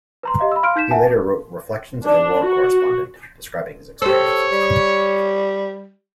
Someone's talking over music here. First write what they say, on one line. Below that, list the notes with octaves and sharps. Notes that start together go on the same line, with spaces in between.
He later wrote "Reflections of a War Correspondent", describing his experiences.
B4 A#5 C6
G4 D#5 F5 C6
B5 E6
F5 C6 F6 D7
D#4 G6 B6 E7
E5 F#5 G#5 A5
D4
F#4
G4 A4 C5 C#5
G3